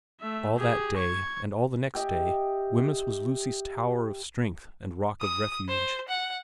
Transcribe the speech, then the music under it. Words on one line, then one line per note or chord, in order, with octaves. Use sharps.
All that day and all the next day Wemyss was Lucy's tower of strength and rock of refuge.
A3 E5
G4 G#4
C#6 G#6
G4 D#5 E5 G#5
D#6
C5
F#5